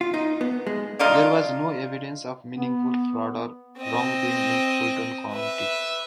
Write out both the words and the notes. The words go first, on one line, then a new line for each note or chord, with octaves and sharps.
There was no evidence of meaningful fraud or wrongdoing in Fulton County.
F4
D#4
B3
G#3
D4 D#4 F4
B3
C4 D#5
B4 E5